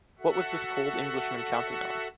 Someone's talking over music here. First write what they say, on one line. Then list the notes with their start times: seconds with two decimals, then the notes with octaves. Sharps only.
What was this cold Englishman counting on?
0.19 F#4 A4 E5 F#5